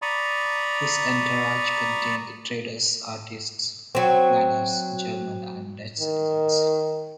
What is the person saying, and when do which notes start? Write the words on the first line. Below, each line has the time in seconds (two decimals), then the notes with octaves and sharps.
His entourage contained traders, artists, planners, German and Dutch citizens.
0.02 D5 A#5 B5 C#6 D#6
3.95 F#3 C4
6.00 D#3